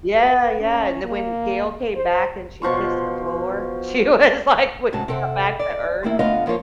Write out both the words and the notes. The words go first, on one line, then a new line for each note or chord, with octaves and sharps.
Yeah, yeah, and then when Gayle came back and she kissed the floor, she was like w when got back to earth,
B4
C#4
A#3
C5
B2 F3 F4 C#6
G#2 C3 C#4 F#4 A5
C3 C4 A4 F#5
D5
D#2 A#3 C4 E4
D3 A3 B3 F4 D#5 F5
F2 F3 A#3 F4 C#5